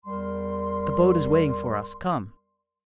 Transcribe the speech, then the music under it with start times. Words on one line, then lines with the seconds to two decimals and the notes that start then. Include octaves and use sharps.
"The boat is waiting for us; come."
0.06 E2 G3 A#4 C6